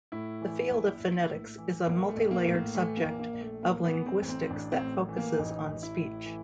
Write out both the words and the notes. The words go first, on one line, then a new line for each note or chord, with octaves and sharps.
The field of phonetics is a multilayered subject of linguistics that focuses on speech.
A2 E4
E3
A#1
A#1
A2
E3
A#1 A#3
A3
A#1
A#3
A2
A#3
E3 A3
A#3
A#1
A#3
A#1
A3
A2 A#3
B3
E3
C4
A1
C4
A1 D4
C4
A2
E3
A#3
A1 D#4
A1
E4
A2
E3